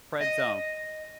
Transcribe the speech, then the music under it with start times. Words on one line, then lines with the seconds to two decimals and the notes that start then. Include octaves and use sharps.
Friend zone.
0.21 D#5